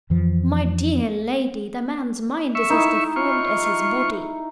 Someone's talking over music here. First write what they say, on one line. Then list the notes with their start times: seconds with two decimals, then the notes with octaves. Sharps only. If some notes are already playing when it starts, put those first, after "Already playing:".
My dear lady, the man's mind is as deformed as his body.
0.10 F2 E3 F3
2.55 E5 C#6
2.70 D#4 E4
3.16 F4 C#6